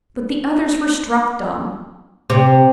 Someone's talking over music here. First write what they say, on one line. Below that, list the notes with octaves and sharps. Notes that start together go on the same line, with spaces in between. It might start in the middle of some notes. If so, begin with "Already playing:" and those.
But the others were struck dumb.
C3